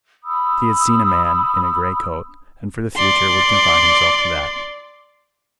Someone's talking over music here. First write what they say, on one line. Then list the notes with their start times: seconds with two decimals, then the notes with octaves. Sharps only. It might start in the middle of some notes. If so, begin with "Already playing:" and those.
He had seen a man in a grey coat, and for the future would confine himself to that.
0.24 B5 D#6 E6
2.96 D5 C6